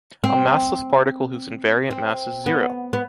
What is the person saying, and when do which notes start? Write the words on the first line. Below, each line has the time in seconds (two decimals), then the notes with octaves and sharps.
A massless particle whose invariant mass is zero.
0.24 C4
1.91 C4
2.46 B3
2.93 B3